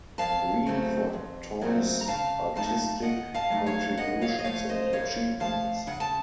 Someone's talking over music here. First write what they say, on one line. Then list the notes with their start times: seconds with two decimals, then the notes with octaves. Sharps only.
Green for Toi's artistic contributions and achievements.
0.18 F2 F5 A5
0.67 C#3 F#3 A3 C4
1.13 F2
1.61 C#3 F#3 A3 C4
2.01 A#5
2.08 C#3 F5 A5
2.55 F#3 A3 D#4 F5 A5
3.02 C#3 D#5 F#5
3.35 F5 A5
3.50 F#3 A3 D#4
3.66 C#5 F5
3.98 F#2 D#5 F#5
4.22 C#5 F5
4.39 D#5
4.44 F3 A3 C#5 F5
4.69 C5 D#5
4.92 F#2 C#5 F5
5.40 F3 A3 F5 A5
5.87 C#3 F#5
6.00 A5